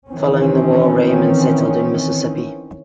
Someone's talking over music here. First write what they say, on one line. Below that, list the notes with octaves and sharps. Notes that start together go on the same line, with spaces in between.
Following the war Raymond settled in Mississippi.
D#3 E3 C4 C#4